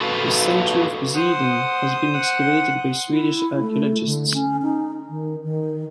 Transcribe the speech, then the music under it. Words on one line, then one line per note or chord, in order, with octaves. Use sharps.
The Sanctuary of Poseidon has been excavated by Swedish archaeologists.
F#4 A4 B4 F5
C5 F#5 D#6
F#5
E4
A3
D3
C#4
D#4
D#3
D#3